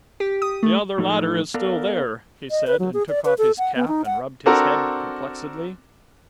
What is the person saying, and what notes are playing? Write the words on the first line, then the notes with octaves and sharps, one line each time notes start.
"The other ladder is still there," he said, and took off his cap and rubbed his head perplexedly.
G4
D#6
A3
A2 F3 D#4 A4
B3 A4 A#4 D5 F5
D#5
B4
F#3
G#4
D5
B4
A4
F#5
B3
D#4
F#5
C4 D4 F#4 A4 A#4